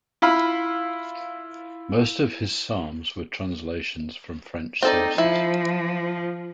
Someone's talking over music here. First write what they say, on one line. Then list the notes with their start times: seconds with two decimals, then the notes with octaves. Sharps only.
Most of his Psalms were translations from French sources.
0.22 E4 F4 F5 B5
4.83 C4 D#4 A4 D5
5.18 F3 E4